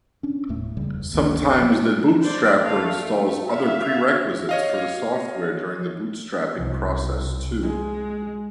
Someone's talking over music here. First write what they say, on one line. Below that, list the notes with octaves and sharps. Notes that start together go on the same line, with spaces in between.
Sometimes the bootstrapper installs other prerequisites for the software during the bootstrapping process too.
C#4 D4
E1 D#2 A2 A3
F1 D#2 C#3 G3
F#1 D2 D#3 A#3
F#3
C5 D5
A3 F5
A3
E5 F5
C#5 D#5 F5
C2
G#3